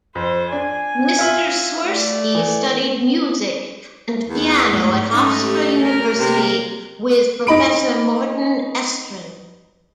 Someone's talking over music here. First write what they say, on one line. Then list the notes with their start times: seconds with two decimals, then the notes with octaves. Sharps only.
Mr. Swirsky studied music and piano at Hofstra University with professor Morton Estrin.
0.15 F2 C5
0.52 D4 G#5
1.19 F4 E5 F#7
1.85 A3 D5
2.35 E3
4.28 E2
4.72 G#2 F#3 A3
5.10 A3 C#4 D#4 A4
5.41 G4
5.78 C#4 A#4
6.18 C3 A#3 A#4
7.47 D#4 D#5 B5 D7